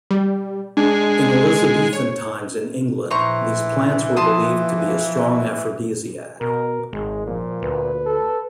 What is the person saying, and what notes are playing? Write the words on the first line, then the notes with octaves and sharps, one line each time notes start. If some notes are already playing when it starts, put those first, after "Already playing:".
In Elizabethan times in England, these plants were believed to be a strong aphrodisiac.
G3
G#3 D4
C#5
A#1 E3 C5 A#5 C#6
F3 A5 C6 D#6
B2 A#4
G#1 G#3
A#2 F3
D2 B4
A4